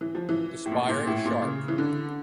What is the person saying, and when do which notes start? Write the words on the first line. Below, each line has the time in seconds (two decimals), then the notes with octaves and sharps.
The spire is sharp.
0.01 E3
0.15 F3
0.29 E3
0.66 A2
0.72 A#2
0.89 A#2
1.07 A2
1.26 A#2
1.42 C#3
1.68 E3
1.78 D3